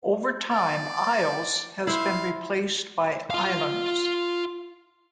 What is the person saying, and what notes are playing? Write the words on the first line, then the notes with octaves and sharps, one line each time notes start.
Over time "Isles" has been replaced by "Islands".
D5
E4 C5 F5
F4 F5